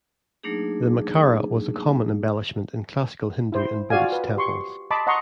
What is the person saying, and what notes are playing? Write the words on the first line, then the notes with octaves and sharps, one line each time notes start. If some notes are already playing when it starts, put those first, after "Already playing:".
The Makara was a common embellishment in classical Hindu and Buddhist temples.
F#3 A3 A#3 D4 D#4 G#4
E4 C5
F4 F#4 D5 F5 G#5
B4
G4 C6 C#6
D#5 A5 B5 C6 D6
D#5 F#5 A#5 C6 C#6